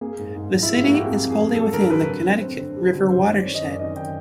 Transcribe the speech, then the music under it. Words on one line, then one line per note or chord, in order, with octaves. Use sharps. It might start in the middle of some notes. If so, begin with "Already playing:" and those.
The city is fully within the Connecticut River watershed.
A#3 G#4
G#2
G#2
F3
E4
G#2 F4
A#3 F#4
G4
F2 G#4
F2
G#4
F2
F#3 A4
D3 A#4
F#3 B4
D3
C4
C4
D3
G3
D3
F#2 C5
D#3 D5
F#2 C#5
D#5
F#2 D5
D#3 D#5
D#3 G5